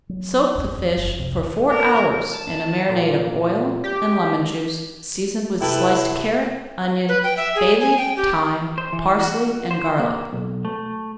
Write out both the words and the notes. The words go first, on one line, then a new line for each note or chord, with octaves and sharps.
Soak the fish for four hours in a marinade of oil and lemon-juice, seasoned with sliced carrot, onion, bay-leaf, thyme, parsley, and garlic.
F#3
G1 E2 D3 C4
E2
F#1
C2 F2 C3
A#4
A5
A#2
G4
C3 E4 A4 B4 G5 A5
B4
G5
E5
G#4
G#5
G5
G4
C5
E3
F#4
C5
A#3
B1
A3